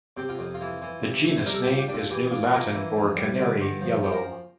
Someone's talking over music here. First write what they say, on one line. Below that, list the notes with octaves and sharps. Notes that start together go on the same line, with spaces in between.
The genus name is New Latin for "canary-yellow".
C3 G4
F4
F2
F4
E3
E3
C3
A3
C5
G3 A#4
A4
G4
F4
G4
D4
F4 A4
E3 G4
D4 F4
A#3 F4
E3
F2
G3
D3
G2
F3
F3 G4
A#4